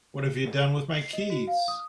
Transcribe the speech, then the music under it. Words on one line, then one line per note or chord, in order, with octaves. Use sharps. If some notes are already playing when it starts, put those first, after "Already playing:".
What have you done with my keys?
C7
D#5
F#4
F5
D#6